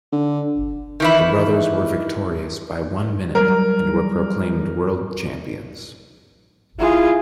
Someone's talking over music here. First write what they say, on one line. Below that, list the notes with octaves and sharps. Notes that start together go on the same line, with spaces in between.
The brothers were victorious by one minute, and were proclaimed world champions.
D3
D#3 E3 E4
F#3 G3 A#4
E4 F4 G#4